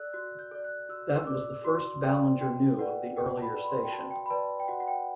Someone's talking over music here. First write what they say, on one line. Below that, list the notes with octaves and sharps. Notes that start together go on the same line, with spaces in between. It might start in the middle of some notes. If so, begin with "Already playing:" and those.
That was the first Ballinger knew of the earlier station.
Already playing: A4 D5 E6 F#6
F#4 F#6
G6
A4 D5
F#6
F#4 E6
E6
A4 D5 D6
F#4 C6
A4 D5 G5
F#4 G5
B4 D5 F#5
F#4 G5
A5
B5
B4 D5
B5
C6
G5
F#4 A5
G5
B5
B4 D5 A5
G5
F#4 F#5
F#5
G5